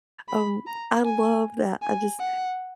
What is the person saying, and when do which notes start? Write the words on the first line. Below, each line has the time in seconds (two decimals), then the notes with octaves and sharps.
Um, I love that. I just,
0.29 B5
0.67 A#5
1.05 G#5
1.82 G#5
2.19 F#5